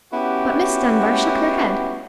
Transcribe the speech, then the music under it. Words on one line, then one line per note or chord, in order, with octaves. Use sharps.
But Miss Dunbar shook her head.
B3 C#4 E4 F#4 G4